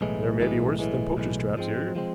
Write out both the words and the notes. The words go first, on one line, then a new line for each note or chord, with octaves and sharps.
"There may be worse than poachers' traps here."
B1 A2 E3 G#3
B1 A2 E3 G#3
B1 A2 E3 G#3
B1 A2 E3 G#3
G#2 F3 G#3 C4
F3 G#3 C4